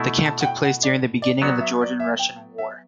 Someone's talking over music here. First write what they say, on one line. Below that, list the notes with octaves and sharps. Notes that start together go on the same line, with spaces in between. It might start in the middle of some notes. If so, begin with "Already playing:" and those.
The camp took place during the beginning of the Georgian-Russian war.
Already playing: B2 A3 E4
A5
F#5
G5
F#5
D5
D5
F#3 B3 F#4 D5
E5
D5
E5
G5
E5